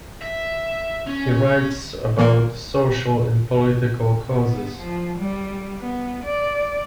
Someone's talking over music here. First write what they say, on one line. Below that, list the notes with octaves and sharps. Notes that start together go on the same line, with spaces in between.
He writes about social and political causes.
E5
C#4
E3 A#3 A#4
B3
F3
G3
B3
D5